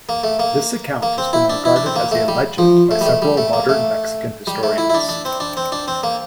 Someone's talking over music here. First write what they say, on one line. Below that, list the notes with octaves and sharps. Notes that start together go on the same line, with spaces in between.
This account has been regarded as a legend by several modern Mexican historians.
A#3
A3
A#3
A#3
C4
E4
D4
E4
D4
C4
A#3
A3
G3
F3
A3
G3
A3
G3
A3
A#3
A3
G3
A3
E4
E4
D4
D4
C4
D4
C4
D4
C4
A#3